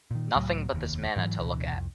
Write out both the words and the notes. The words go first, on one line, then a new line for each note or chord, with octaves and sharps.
Nothing but this manna to look at.
A#2 D#3
C#2 A2 F#3
F1 D#2
G#2 E3 F#3
A1 D2 B2 E3
C2 F2